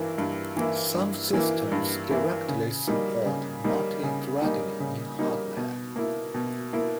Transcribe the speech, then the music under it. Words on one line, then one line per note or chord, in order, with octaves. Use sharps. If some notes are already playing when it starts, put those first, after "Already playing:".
Some systems directly support multithreading in hardware.
Already playing: G2 E3 A#3 E4
G2
E3 A#3 E4
G2
E3 A#3 E4
G2
E3 A#3 E4
C#3
G3 A#3 D#4
C#3
G3 A#3 D#4
C#3
G3 A#3 D#4
C#3
G3 A#3 D#4
B2
A#3 E4
B2
A#3 E4